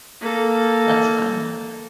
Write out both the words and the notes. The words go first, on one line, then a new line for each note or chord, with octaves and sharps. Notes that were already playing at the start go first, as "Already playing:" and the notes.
That's fun.
A#3 A4